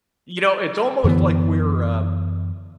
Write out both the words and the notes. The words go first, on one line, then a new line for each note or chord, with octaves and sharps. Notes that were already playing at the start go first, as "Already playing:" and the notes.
You know, it's almost like we're, uh,
F#2 D3 E3 B3